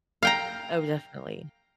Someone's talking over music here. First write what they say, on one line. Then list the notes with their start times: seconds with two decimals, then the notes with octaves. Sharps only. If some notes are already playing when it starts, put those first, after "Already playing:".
Oh, definitely.
0.23 F5 G5 A#5